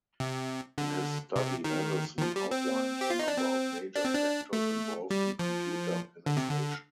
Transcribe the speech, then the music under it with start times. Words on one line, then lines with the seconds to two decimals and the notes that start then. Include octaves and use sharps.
In his study, Anderson outlined a number of major factors involved in computer penetration.
0.20 C3
0.78 D3
1.36 C3
1.64 D#3
2.18 D#3
2.22 F3
2.36 G3
2.51 C4
3.01 G4
3.10 F4
3.19 D#4
3.28 D4
3.37 C4
3.95 D4
4.05 C4
4.14 D4
4.53 A3
5.10 G3
5.39 F3
6.26 D3
6.37 C3
6.49 D3